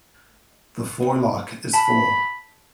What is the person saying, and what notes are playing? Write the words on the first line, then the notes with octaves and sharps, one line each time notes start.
The forelock is full.
A5 B5